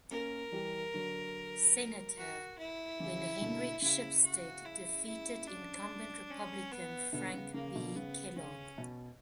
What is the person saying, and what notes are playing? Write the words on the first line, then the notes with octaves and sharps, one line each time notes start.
Senator, when Henrik Shipstead defeated incumbent Republican Frank B. Kellogg.
A#3 C#4 A#4
E3 G3
D3 F#3
F#4
E4
C#3 E3
B2 D3
C#3 E4
F#4
E4
E4
D4
C#4
B3
B2 D3 B3
C#3
C#3 A#3
B2 D3
C#3 B3
C#3 C#4
B2